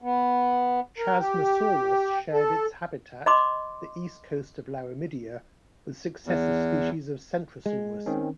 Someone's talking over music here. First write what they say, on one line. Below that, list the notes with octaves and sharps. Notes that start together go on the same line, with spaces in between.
"Chasmosaurus" shared its habitat, the east coast of Laramidia, with successive species of "Centrosaurus".
B3
A#4
G4
A4
D#5 B5 C6 D6
E2
G#3
D#3 C4 C#4